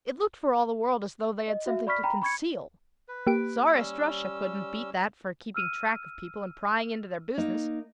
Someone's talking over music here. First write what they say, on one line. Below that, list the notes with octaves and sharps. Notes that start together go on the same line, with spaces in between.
It looked for all the world as though they had something to conceal; Czarist Russia couldn't beat that for keeping track of people and prying into their business.
D#5
F#4 E5 F5
D5 B5 C#6 F6 B6
G5 A#5 B5
B5 C#6 G#6 C#7
B4
A#3 G4 D7
G3 C#4 E6
E6 F6 D#7
A#3 D#4